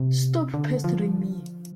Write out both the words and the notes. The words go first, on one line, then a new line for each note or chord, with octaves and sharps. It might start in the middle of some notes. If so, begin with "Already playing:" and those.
Stop pestering me!
Already playing: C3
D3
F3